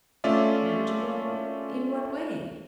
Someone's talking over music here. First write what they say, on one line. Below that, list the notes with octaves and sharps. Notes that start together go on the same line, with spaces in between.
"Notable--in what way?"
A3 C#4 F4 D5 E5